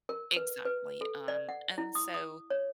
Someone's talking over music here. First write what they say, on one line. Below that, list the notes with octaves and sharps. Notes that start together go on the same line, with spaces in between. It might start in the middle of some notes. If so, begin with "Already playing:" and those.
exactly, um, and so,
A#4
B4
B4
A4
D5
F#5
E4
D#6
D#6
C#5